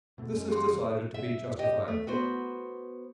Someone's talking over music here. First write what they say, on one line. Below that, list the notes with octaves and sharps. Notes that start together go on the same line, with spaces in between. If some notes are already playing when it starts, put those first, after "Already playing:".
This is decided to be justifiable.
B2 A3 C4
F#2 G#3 C#4
G4 G#4 C6
E5
G4 D#5
A3
B3 F#4 C5